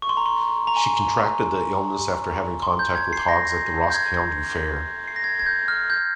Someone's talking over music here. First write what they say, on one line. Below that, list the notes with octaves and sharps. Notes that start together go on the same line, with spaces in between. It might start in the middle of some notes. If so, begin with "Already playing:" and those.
She contracted the illness after having contact with hogs at the Ross County Fair.
C#6
C6
A#5
C6
A#5
G#5
A#5
C6
G6
G#6
C7
A#6
G6
G#6
C7
A#6
G#6
G#6
G6
F6
G6